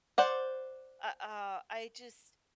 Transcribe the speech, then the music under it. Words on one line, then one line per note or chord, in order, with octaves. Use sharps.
Uh, uh, I just
C5 D5 F#5